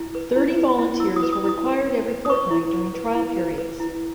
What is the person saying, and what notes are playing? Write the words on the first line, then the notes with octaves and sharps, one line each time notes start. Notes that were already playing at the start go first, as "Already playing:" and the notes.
Thirty volunteers were required every fortnight during trial periods.
Already playing: E4
B4
E4
B4
E4
E4 E6
D#6
B4
D#6
E4
D#6
B4
B4
B4
D#6
B4 C#6
E4
B4
B4
E4
B4
B4
E4